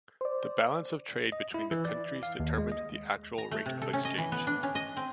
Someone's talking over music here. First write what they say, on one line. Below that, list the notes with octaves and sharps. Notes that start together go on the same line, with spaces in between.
The balance of trade between the countries determined the actual rate of exchange.
C5 D5
D#5
E4
E3
D5
F5
D#2
G#3
D#5
A#5
A3
C3
A4
C#4
D#5
E3
B3
D4
C#4
D#5
C4